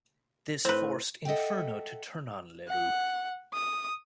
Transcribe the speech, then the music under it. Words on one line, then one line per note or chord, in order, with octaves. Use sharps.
This forced Inferno to turn on LeRoux.
A2 C4 B4 C5
A4 D#5 E5 F#5 G5
F#5
D#6